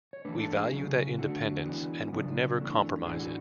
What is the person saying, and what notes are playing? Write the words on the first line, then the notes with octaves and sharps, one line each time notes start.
We value that independence and would never compromise it.
C#5
E3 A3 D4 B4
A4
G#4
C#3 F#3 C#4
D3 A3 D4 F#4
E3 B3 D4
C#3 F#3 B3 D4
E3 A3 D4
A2 E3 A3 D4 G#4
F#4